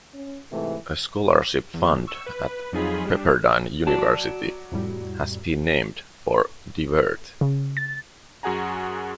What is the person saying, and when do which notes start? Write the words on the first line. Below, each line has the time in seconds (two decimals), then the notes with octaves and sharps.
A scholarship fund at Pepperdine University has been named for DeWert.
0.14 C#4
0.52 G#2 C3 E3 A3
1.74 E2
2.07 C#6 E6
2.26 B4
2.72 F2 F#3 D#4 F4 G#4 B5
3.05 G3 D4
3.87 F#3 D5 A5
4.72 F2 A2 G3
7.41 C#3
7.77 A6
8.43 F#2 F#4 G#4 F#5 G#5 A#5